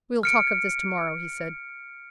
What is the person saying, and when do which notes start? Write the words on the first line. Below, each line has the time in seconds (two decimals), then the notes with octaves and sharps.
"We'll talk of this to-morrow," he said.
0.23 F6 C#7 D7